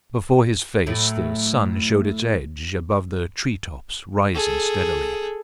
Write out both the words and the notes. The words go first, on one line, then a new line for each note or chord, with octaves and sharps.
Before his face the sun showed its edge above the tree-tops rising steadily.
A2 F#3 A3
G#4 A4